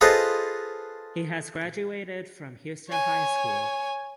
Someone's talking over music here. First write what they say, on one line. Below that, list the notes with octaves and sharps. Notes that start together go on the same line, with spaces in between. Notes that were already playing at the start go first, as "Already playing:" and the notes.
He has graduated from Houston High School.
F4 G#4 A4 B4 C5 D#5
C#5 G#5